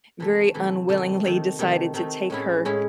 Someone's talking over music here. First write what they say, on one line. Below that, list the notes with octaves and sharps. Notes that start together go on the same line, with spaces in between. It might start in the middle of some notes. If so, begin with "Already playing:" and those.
very unwillingly decided to take her
C3 E3 A3
C3 E3 A3
C3 D#3 A3
C3 D#3 A3
C3 D#3 A3
C3 D#3 A3
A2 G#3 C#4 E4
A2 G#3 C#4 E4